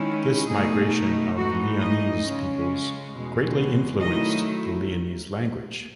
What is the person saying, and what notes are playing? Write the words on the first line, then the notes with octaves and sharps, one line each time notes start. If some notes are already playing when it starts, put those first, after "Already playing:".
This migration of Leonese peoples greatly influenced the Leonese language.
Already playing: D#3 G#3 C#4 E4
B2 A3 D#4 G#4
G#2 E3 A3 D#4 F#4
D#5
C#3 G#3 C#4
E2 B2 G#3
D#3 F#3 A3 E4 D#5